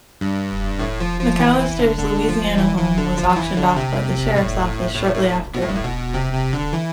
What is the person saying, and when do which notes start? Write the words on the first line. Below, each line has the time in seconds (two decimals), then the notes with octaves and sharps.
McAllister's Louisiana home was auctioned off by the Sheriff's office shortly after.
0.21 G2
0.79 A2
1.00 F3
1.20 F3
1.39 E3
1.60 E3
1.79 D3
1.98 D3
2.29 F3
2.58 E3
2.78 E3
2.98 D3
3.18 F3
3.29 F3
3.36 E3
3.57 D3
3.76 C3
4.36 A2
4.94 A2
5.15 A2
5.55 B2
5.61 A2
5.69 G2
5.76 A2
5.84 B2
6.14 C3
6.33 C3
6.53 D3
6.73 E3